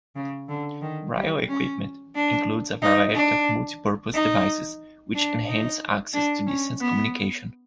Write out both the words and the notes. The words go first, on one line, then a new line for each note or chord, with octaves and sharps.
Braille equipment includes a variety of multipurpose devices, which enhance access to distance communication.
C#3
D3
D#3
G3
C#4
D4
D#4
D4
D#4
D4
D#4
D4
C#4
B3